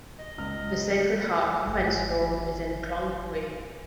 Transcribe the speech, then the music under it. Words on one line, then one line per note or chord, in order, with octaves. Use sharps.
The Sacred Heart Convent School is in Khlong Toei.
D#5
C#2 F6
G#1 G#5